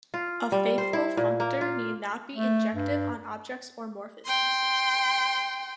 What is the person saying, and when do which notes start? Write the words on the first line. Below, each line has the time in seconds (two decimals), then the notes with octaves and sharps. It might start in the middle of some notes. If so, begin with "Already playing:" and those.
A faithful functor need not be injective on objects or morphisms.
0.14 F4
0.52 G3
0.78 C5
0.93 E4
1.17 A#2
1.40 A#3
1.61 F4
2.35 A3
2.74 G2
4.26 G5 C6